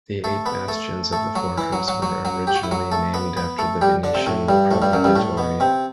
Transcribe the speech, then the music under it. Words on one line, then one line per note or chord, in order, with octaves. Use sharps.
The eight bastions of the fortress were originally named after the Venetian "provveditori".
A3 A4
B3 B4
A3 A4
A3 A4
F#3 F#4
E3 E4
F#3 F#4
F#3 F#4
F#3 F#4
F#3 F#4
G4
F#4
E4
F#3 F#4
A3 A4
B3 B4
B3 B4
A3 A4
G3 G4
D3 D4
C3 C4
A2 A3
G2 G3
A2 A3
G2 G3
F#2 F#3
G2 G3
A2 A3
B2 B3
C3 C4